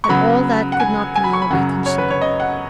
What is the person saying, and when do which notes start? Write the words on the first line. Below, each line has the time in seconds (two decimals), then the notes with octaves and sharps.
But all that could not now be considered.
0.04 C#6
0.09 C#3 F#3 B3 B5
0.72 F#5
0.80 G#5
1.16 G#5
1.24 B5
1.33 C#6
1.42 B5
1.50 F#2 C#3 F#3 F#5
1.86 C#5
1.98 B4
2.10 C#5
2.21 D#5
2.40 F#5